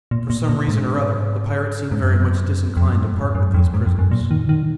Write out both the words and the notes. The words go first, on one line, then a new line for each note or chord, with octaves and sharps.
For some reason or other, the pirates seemed very much disinclined to part with these prisoners.
A#2
A#2
A#2
G#2
G#2
F#2
F2
F#2
G#2
F#2
F2
G#2
F2
F#2
A#2
D#3
D#3